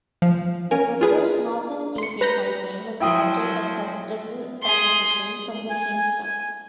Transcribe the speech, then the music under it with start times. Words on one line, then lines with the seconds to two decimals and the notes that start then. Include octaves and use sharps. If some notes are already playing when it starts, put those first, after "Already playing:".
The proposed Northern Gateway pipeline was the subject of considerable opposition from the Heiltsuk.
0.22 F3
0.71 C#4 A#4 G#5
1.01 F4 G#4 B4
1.98 C6 C#7
2.21 B4 A#5 B5 G6
3.00 F3 F#3 E4 G5 D#6
4.62 G#4 C6
5.70 G#5